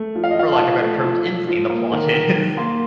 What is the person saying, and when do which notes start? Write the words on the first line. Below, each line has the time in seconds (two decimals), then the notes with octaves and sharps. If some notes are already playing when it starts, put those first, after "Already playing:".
for lack of better terms, insane the plot is.
Already playing: A3
0.15 F3
0.24 F5
0.31 D#5
0.37 F3 F5
0.52 A5
0.59 F3
0.81 A3
1.03 F3
1.26 F3
1.47 F3
1.70 A#3
1.92 D#3
2.14 D#3
2.35 D#3
2.57 A#3 C6